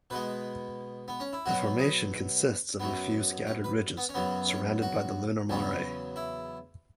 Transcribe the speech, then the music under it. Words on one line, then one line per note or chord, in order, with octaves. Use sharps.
The formation consists of a few scattered ridges surrounded by the lunar mare.
B2 G#3 B3 B4
B3
C#4
E4
B2 F#3 B3 F#4
G#4
F#2 F#3 B3
C#4
B4
B3
C#4
F#2 C#3 F#3 B3
C#4
F#4
E2 C#3 F#3 B3
E4